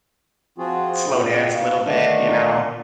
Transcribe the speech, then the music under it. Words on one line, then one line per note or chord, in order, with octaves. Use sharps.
slow dance a little bit, you know,
F3 C4 F4 F#4 G#4
A#2 C#3 G5
A#3
D3 D#3 A3 D4